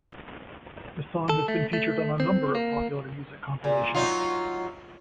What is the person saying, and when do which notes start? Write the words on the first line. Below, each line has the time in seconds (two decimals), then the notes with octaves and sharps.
The song has been featured on a number of popular music compilations.
1.29 A4
1.48 A3
1.73 A3
2.20 C4
2.55 A#3
3.64 A#2
3.95 F#3 D#4 F4